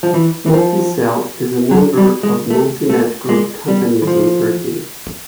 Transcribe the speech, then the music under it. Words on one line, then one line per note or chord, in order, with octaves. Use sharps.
MultiCell is a member of Multinet Group Companies in Turkey.
F3
E3
E3
F3
F#3
G3
G#3
A3
A3
G#3
G3
E3
F3